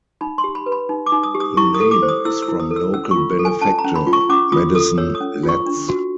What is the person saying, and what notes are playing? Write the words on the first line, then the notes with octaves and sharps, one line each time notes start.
The name is from local benefactor, Maddison Letts.
D#4 B5
C6
G4
B5
B4
B5
D#4
D6
D#4
D#6
G4
D#6
E4 C#6
D#6
A4
D6
C5
D#6
E4 E6
E6
E4
D#6
A4
E6
C#4 E6
C#6
F4
A4
G#5
C#4 A5
A#5
C#4
B5
F4
C#6
C#4 D6
F4 D#6
A4 D#6
C#5 E6
D#6
C#4
F4
C#6
D4
F#4